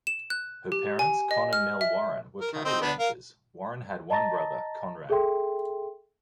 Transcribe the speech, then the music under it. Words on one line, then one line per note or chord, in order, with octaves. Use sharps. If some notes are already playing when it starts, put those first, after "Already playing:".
Her parents, Con and Nell Warren, were cattle ranchers; Warren had one brother, Conrad.
E7
F#6
G4
G#5
D#5
F6
E5
A#4
D#3
C4 D#4
B3 D4
A#4 F5
D#5 A5 A#5 A6 A#6
G#4 A4 E5 G5 C6